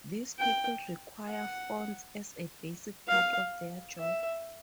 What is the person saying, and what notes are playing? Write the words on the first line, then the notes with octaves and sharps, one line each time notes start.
These people require fonts as a basic part of their job.
G5
F#5
F5
E5